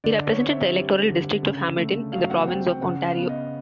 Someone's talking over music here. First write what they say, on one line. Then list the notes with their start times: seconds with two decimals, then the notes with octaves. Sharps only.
He represented the electoral district of Hamilton in the province of Ontario.
0.04 D3 D5
0.27 C#5
0.39 C4
0.50 E5
0.73 G3
1.08 D3
1.43 C#3
1.78 A3
2.12 F#3 F5
2.30 F#5
2.47 C4 G5
2.65 G5
2.82 C#3 F#5
3.05 F5
3.17 B3
3.29 D#5